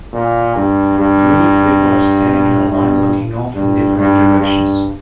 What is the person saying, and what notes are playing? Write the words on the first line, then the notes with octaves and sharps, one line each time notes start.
A group of people are standing in a line looking off in different directions.
A#2
G2
G2
G2
G2
G2
G2